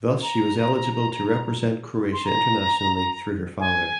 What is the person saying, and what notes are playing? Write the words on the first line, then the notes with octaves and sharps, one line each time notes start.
Thus she was eligible to represent Croatia internationally through her father.
A#5
C6
A#5
G#5